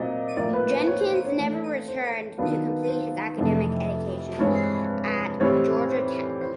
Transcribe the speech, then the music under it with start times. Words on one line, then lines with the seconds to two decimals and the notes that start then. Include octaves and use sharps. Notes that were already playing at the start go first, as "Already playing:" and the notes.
Jenkins never returned to complete his academic education at Georgia Tech.
Already playing: A#2 F#3 C4 D5 D#5
0.37 A2 F3 A#3 D5
0.53 B4
0.70 C5
0.87 C#5
1.00 C5
1.13 C5
1.25 C#5
1.37 E3 A3 D4
1.88 C5
2.38 D#3 F#3 B3 D4 F4 B4
2.88 C5
3.38 F2 C3 E3 A3 D4
4.39 G2 E3 G#3 C4 C#5
5.40 A2 E3 G3 C4 C#5
5.91 C5
6.41 C5